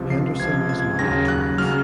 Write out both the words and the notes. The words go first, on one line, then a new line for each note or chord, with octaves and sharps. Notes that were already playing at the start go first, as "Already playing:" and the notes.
Henderson was married twice.
Already playing: C#2 C3 F3
C7
C#2 C3 F3 G#6
G#6
D#2 C#3 F#3 A#6
F#6
C#3 F#3 F6